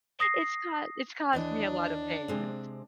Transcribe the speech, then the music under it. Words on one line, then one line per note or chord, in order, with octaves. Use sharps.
It's cau it's caused me a lot of pain.
D#6 A#6 C7
D#2 E3 D4 D#5
C3 G#3 C4